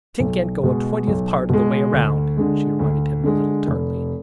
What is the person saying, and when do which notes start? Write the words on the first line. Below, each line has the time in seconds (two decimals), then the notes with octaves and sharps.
"Tink can't go a twentieth part of the way round," she reminded him a little tartly.
0.19 B1
0.63 B2 G#3
1.07 B1
1.49 B2 G#3
1.93 D2
2.37 D3 G#3
2.79 D2
3.23 D3 G#3
3.67 F1